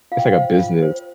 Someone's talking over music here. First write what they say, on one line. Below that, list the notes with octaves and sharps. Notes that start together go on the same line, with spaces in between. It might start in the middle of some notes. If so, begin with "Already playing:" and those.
it's, like, a business
F4 F5
G5
F5
C5
F4
C5